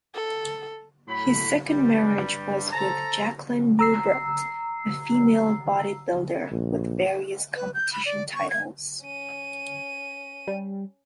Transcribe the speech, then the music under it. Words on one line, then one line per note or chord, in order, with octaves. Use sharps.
His second marriage was with Jacqueline Nubret, a female bodybuilder with various competition titles.
A4
A2 F#3 B5
G2 G3
A4 C5 A5 A#5
A#5 E6 C7
A#1
B4
G6
B5
D5
C#6
G#6
C#4 D#7
G3